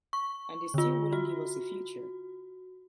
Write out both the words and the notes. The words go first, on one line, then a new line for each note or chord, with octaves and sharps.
And they still wouldn't give us a feature.
C#6
D3 F4
F#4